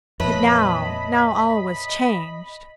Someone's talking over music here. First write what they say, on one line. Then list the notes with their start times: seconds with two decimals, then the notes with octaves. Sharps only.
But now, now all was changed.
0.20 F2 A#2 B4 C#5 D#5 E5 A5 B5